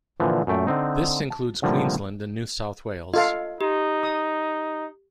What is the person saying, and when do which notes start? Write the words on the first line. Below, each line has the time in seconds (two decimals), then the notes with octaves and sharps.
This includes Queensland and New South Wales.
0.20 A#2 D3 E3 F3
0.47 F#2 A#2 A3 G5
0.67 D3 C4 D#4
1.30 A5
1.62 A2 D3 F3 G3 A#3
3.14 F4 A4 D#5 F5
3.61 D#4 G4
4.03 D#6